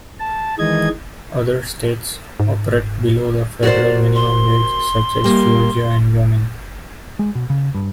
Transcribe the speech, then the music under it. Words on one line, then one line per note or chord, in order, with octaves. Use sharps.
Other states operate below the federal minimum wage such as Georgia and Wyoming.
A5
D#3 E3 G#3 D#5 G#6
G#2
F#4 A#4 C5 D5
C6
G3 A#3
G#3
B2
C#3
G2